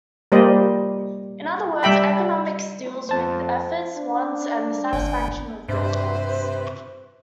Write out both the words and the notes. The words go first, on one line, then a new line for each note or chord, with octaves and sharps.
In other words, economics deals with effort, wants, and the satisfaction of those wants.
G3 A#3 G4 C5 D5 D#5
G3 E5 G5 B5
F2 C5 A5
D4
G1
G2 C3 B4 C5 E5